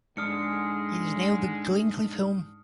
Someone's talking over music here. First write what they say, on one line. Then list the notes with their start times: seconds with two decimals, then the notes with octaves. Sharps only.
It is now the Glencliff Home.
0.17 G#2 D3 G#3 D4 D#6 F6 C#7